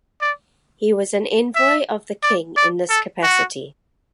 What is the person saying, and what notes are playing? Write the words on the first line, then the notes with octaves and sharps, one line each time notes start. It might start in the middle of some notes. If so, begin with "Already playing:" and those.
He was an envoy of the king in this capacity.
D5
E5
D5
D5
A4
F#4